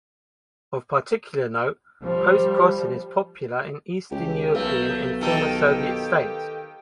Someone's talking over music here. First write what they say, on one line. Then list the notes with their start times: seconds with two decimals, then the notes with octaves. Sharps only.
Of particular note, postcrossing is popular in eastern European and former-Soviet states.
2.02 F3 G3
4.11 C#2 G4
4.55 B1 A3 A#4 B4 F5 E6 G6
5.21 D#3 G4 A4 G5